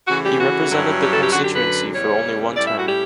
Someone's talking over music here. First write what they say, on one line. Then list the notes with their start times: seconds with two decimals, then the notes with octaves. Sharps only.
He represented the Constituency for only one term.
0.08 C#3 E3 A3 F#4
0.24 G4
0.39 F#4
0.71 G2 F#3 C#4 E4
1.01 G4
1.11 A4
1.22 G4
1.32 F#2 D3 F#3 F#4
1.43 G4
1.53 B4
1.94 E2 C#3 E3 G3 C#4 C#5
2.56 A2 G3 C#4 E4 D5
2.67 E5
2.77 F#4
2.87 G4